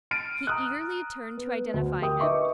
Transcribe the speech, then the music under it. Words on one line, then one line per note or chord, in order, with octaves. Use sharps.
He eagerly turned to identify him.
F6 A6 D7 D#7
A#5 D#6 F#6
B3
D2
G4 A#4 G5 D#6
D#4 B4 E5 C#6 D6